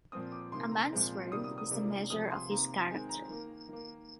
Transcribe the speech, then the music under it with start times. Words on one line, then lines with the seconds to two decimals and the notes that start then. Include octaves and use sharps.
A man’s word is the measure of his character.
0.12 A#2 F3 C4 D#6
0.32 D6
0.52 C3 D#3 A#3 C6
0.72 A#5
0.92 A#2 F3 G#3 C4
1.32 C3 D#3 G3 A#3 D#6
1.44 D#6
1.58 D#6
1.71 C3 G3 A#3
2.10 C3 F3 G#3 D#6
2.31 C6
2.50 C3 D#3 A#3 A#5
2.89 D#3 G#3 C4 G#5
3.09 A#5
3.29 D#3 A#3
3.69 D#3 A#3